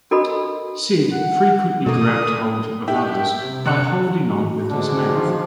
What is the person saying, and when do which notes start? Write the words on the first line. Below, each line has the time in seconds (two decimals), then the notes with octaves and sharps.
Sid frequently grabbed hold of others by holding on with his mouth.
0.11 D4 F#4 A4 A#4 D#5 B5
1.11 F#5
1.86 B2 D3 A3 A#3 D#6
2.88 E4 G4
3.43 C3
3.66 D3 F#6 C#7
4.03 F#4
4.69 G#2 D3 G#3 D4
5.12 D#3 F3